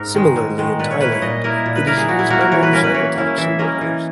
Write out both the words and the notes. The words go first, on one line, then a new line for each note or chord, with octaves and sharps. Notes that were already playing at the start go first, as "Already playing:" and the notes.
Similarly in Thailand, it is used by motorcycle taxi workers.
Already playing: G#2 A#4
D#3 G#3
G#2
D#3 G#3
A#2 B4
C#5
A#3 E4 B4
C#5
A#2 D#5
A#3 E4 D#5
A#2
B4
A#3 E4 A#4
G#4
A#2 F#4
E4
A#3 E4 F#4
A#4
E3 C#5
B4
A#3 C#4 E4 A#4
B4
E3 C#5
A#3 C#4 E4
E3 E5
A#3 C#4 E4 D#5
E3